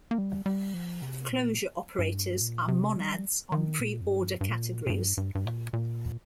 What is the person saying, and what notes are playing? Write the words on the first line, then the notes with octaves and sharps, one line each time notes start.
Closure operators are monads on preorder categories.
A#3
G3
G3
F3
C3
A#2
G2
A#2
C3
G3
D#3
A#2
F2
G2
G2
A#2
A#2
G2
G2
G2
A#2
A#2